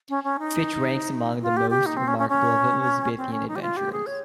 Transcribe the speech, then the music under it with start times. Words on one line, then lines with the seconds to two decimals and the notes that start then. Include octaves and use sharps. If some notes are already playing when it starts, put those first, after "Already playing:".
Fitch ranks among the most remarkable of Elizabethan adventurers.
0.09 C#4
0.24 C#4
0.39 D#4
1.41 F4
1.57 G4
1.70 G4
1.86 D#4
1.97 C4
2.08 C#4
2.18 C#4
2.29 C#4
3.17 C4
3.32 C#4
3.48 D#4
3.56 G4
3.62 F4
3.77 G4
3.92 G#4
4.06 C#5